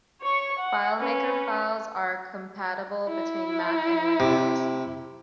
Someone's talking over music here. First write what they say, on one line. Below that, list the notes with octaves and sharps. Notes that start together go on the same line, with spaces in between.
FileMaker files are compatible between Mac and Windows.
C#5 C#6
F#5
C#4 B4
E4
C3